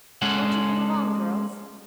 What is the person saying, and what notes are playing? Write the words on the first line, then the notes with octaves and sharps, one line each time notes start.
"Won't you come along, girls?"
G#3 C#4 G#4 A4 F#5